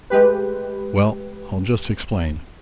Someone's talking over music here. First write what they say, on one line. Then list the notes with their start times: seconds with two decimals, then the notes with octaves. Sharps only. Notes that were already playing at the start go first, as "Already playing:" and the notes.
Well, I'll just explain.
0.10 G#3 A3 G4 B4